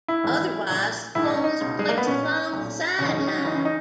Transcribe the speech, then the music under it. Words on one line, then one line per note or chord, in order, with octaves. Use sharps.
Otherwise, the poles are placed along the sideline.
E4
G#1 G#2 E3
A#1 A#2
A#1 G#2 D#3 E4
D#4
C#4
D#4
C#2 B2
G#3
A#3
B3
A#1 A#2 C#4
B1 A#2
F#1 E2 B2 C#4
D#4
C#4
D#4
C#4
C#2 C#3 E3 D#4
C#4
D#4